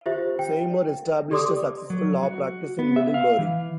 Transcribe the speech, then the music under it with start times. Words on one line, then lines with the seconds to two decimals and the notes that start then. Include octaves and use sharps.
Seymour established a successful law practice in Middlebury.
0.06 F4 G4 C5 E5
0.39 G5
1.31 G4 A4 D5 C6 D6 D#6
1.90 F#3
2.23 F#4
2.79 B3
2.96 E5
3.14 F5
3.38 E3